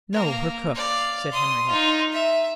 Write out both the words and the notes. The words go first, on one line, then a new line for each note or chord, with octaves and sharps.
"No--her cook," said Henriette.
A#3 A#4
D5 F5
C6 D#6
D#4 F4
E5